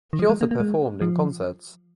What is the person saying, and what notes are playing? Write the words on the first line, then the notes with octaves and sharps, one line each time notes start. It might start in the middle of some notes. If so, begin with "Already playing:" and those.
She also performed in concerts.
D#3
F3
G#3
A#3
A#3
G#3
F3